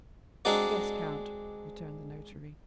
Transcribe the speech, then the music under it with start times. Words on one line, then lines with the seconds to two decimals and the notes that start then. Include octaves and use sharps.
"Yes, count," returned the notary.
0.45 G#3 C4 D4 D#4 F#4 D5